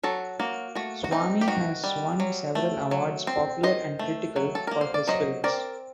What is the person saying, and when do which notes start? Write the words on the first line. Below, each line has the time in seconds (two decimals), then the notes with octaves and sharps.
Swamy has won several awards, popular and critical, for his films.
0.03 F#3 F#4 A4
0.40 A#3 F#4
0.75 A3 F#4
1.04 F#4
1.11 C4 D#4
1.41 G4
1.48 D#3 F#4
1.84 G3
2.20 F#3
2.55 A3
2.91 F#3
3.27 C4
3.63 D#3 C5 D#5
3.99 A3
4.36 F#3
4.55 A4
4.67 A#3 A#4
4.81 C5
4.94 D5
5.07 F#3 C5 D#5
5.44 C4 A#4 D5